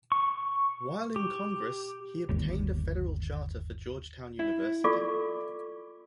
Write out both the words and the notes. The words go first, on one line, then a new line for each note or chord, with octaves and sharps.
While in Congress, he obtained a federal charter for Georgetown University.
C#6
G4
G1 D#2
E4
F4 A4 D5 C#6 D6